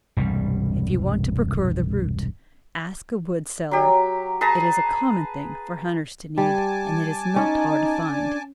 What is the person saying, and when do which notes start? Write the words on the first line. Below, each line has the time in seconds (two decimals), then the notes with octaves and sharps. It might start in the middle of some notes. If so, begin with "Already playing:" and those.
If you want to procure the root ask a wood-seller; it is a common thing for hunters to need, and it is not hard to find.
0.17 E1 C2 G2 G3
3.71 F#3 G4
4.41 G#4 B4 A5 A#5
6.38 G3 G#5 A5 D6
7.36 C#4 D#4
8.12 D4